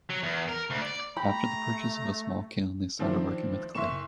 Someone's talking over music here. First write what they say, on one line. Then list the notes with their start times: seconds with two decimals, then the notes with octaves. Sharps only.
After the purchase of a small kiln they started working with clay.
0.10 F#3
0.23 E2
0.48 A#4
0.70 D2
0.81 D5
1.17 A3 G4 A#5 B5
2.99 D#3 F3 C4 D4 E4
3.75 F#1 E5 C6 C#6 E7